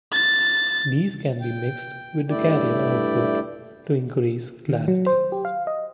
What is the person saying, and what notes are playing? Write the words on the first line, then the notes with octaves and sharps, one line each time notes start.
These can be mixed with the carrier output to increase clarity.
A6
G5
G2 A3 E4 D5 G5
D#3
F#3
C5
G4
F5
D#5